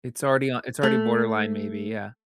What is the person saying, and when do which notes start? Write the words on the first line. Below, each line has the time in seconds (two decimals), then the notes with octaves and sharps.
It's already on it's already borderline, maybe, yeah.
0.83 A3